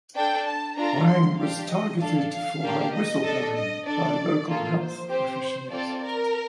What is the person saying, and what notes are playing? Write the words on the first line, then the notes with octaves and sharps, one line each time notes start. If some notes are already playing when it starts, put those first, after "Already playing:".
Wang was targeted for her whistleblowing by local health officials.
D4 A4 G5
A5
D4 F4 A4 A#5
C6
D4 G4 F5
D#5
D4 A4 F5
F5
A#3 D4 G4
D#5
D4 A4
D#5
D4 A4 D5
A#3 F4 A4
C5
C4 G4 C5
C4 F4 A4 D5
A#4